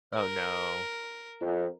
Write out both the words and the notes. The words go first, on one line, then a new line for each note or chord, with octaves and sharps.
Oh, no.
A#4
F2